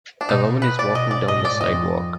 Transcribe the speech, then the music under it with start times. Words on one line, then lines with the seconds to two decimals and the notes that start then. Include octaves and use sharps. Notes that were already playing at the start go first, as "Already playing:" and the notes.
A woman is walking down the sidewalk.
0.21 D4
0.29 B2 D#4
0.62 B4
0.79 D5
0.95 B2 D#5
1.11 D5
1.27 G#2 D#5
1.45 D5
1.60 F2 D#5